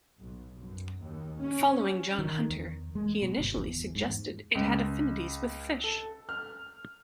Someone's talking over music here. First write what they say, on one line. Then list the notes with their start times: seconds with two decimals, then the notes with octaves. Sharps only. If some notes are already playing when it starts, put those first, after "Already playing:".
Following John Hunter, he initially suggested it had affinities with fish.
0.20 B1
0.59 F#2
1.02 D#2
1.39 C#4
2.18 D#3
2.50 E2
2.95 G#3
3.22 B2
3.39 G1
3.58 E2
3.95 G#2
4.55 C#2
5.84 A4
6.29 F6